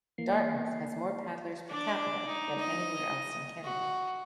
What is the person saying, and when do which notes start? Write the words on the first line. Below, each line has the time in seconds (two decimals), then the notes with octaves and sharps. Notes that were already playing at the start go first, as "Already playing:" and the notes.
Dartmouth has more paddlers per capita than anywhere else in Canada.
0.18 E3 A#3 C7
1.69 D4 D5
2.27 D#4
2.60 D#5
3.64 F#4